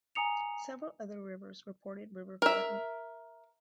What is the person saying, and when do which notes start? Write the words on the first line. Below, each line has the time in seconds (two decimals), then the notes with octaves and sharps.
Several other rivers reported river flooding.
0.15 G#5 A#5 D#6 C#7 F7
2.42 A#4 E5